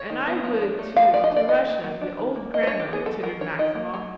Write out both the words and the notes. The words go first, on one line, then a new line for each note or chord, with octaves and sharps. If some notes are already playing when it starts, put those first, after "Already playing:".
"And I would, too ... to Russia, the old grandmother!" tittered Maximov.
Already playing: C#5
D#3
B3
F3
D4
A3
F3 F5
F3 D5
D#5
D4
D5
D#3 D#5
A#3
F#3
D4
D#3
A#3
F#3 D#5
C5
D4 C#5
G4
B3 G#4
F#3 A4
F#3 A#4
D4 C#5
D#3 D#5
A#3
F#3